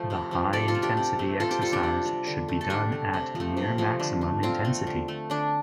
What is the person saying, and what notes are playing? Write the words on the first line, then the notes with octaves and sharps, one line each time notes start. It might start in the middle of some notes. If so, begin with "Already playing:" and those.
The high-intensity exercise should be done at near maximum intensity.
Already playing: F3 A3 C5
C3
F3 A3
C3 A4 D5
F4 A4
A3
D4 G4
C3
A3
C3 F4 A4
G4 C5
G3 F4 A4
D4 G4
C3
G3
D3
A3
A4
D3 D4 G4
A3
C3
F3 A3
C3
F3 A3
D3
A3
D3 C4 F4
A3
D3
A3
D3 D4